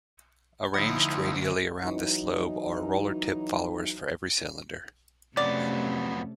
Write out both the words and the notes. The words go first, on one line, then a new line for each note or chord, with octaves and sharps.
Arranged radially around this lobe are roller tip followers for every cylinder.
D2 F3 D#4 E4 F#5
E3 F#3 D#4
F2 C3 F#3 A3 B3 C#4 D5